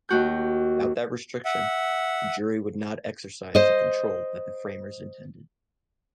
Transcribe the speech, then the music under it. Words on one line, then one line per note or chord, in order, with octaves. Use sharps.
Without that restriction, the jury would not exercise the control that the Framers intended.
D#2 F#4 G6
E5 F#5
C5 D#5